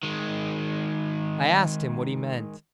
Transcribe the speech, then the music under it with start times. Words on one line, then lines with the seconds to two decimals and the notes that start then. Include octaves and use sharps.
I asked him what he meant.
0.03 D#3 G#3